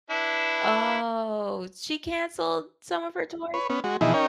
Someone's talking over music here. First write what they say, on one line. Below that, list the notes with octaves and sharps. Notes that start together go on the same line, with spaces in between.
Oh, she canceled some of her tours?
D4 E4 B4
B4 C#5
B3 C#4
G#3 F#4
B2 E3 F3 D#4 E4 G#4
C#4 D#4 A#4 C#5 G5